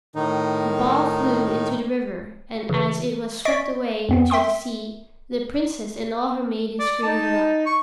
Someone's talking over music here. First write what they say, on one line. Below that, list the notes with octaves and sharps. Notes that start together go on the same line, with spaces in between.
The ball flew into the river, and, as it was swept away to the sea, the Princess and all her maidens screamed aloud.
A2 D#3 D#4
C#3 E3
D5 D#5 C#6 B6 D7
F2 B3 C4
E5 G5 C6 D#6
D5
D#4 A5
C#6